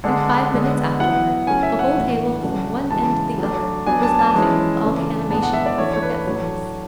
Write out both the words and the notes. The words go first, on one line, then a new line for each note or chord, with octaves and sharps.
And, five minutes afterward, the whole table from one end to the other, was laughing with all the animation of forgetfulness.
D3 G#3 D4
D3 G#3 B3
F#3 B3 E4 F#5
C#3 F#3 A3 C#4 E4 G#5
E5
F#5
A2 E3 A3 D4
C#3 F#3 A3 D4
C#3 E3 G#3 A5
F#3 A3 D4
F#3 B3 D4 G#5
A5
A5
E3 G#3 C#4 E4
C#3 E3 A3 D4
A2 G#3 B3 D4 A5
F#5
E5
D5
E3 A3 D4 C#5
C#5
B4
C#5
A2 F#3 A3 D4 C#5